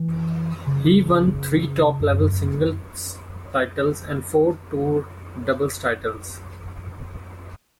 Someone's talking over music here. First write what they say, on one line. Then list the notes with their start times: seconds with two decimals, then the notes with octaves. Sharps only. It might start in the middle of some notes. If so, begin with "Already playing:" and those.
He won three top-level singles titles and four tour doubles titles.
Already playing: E3
0.67 C#3
2.00 F#2
2.23 F#2